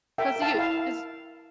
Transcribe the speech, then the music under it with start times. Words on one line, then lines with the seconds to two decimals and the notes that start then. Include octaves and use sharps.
'cause you this
0.18 A#4 E5 G5
0.36 A#4
0.42 F5 A5
0.54 E4 F5